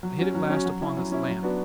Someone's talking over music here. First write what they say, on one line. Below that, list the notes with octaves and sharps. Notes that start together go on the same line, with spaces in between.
I hit at last upon this lamp.
F#3
C#4 F#4
F#3
C#4 F#4
F#3
C#4 E4
F#3
C#4 E4
F#3
B3 D4 F#4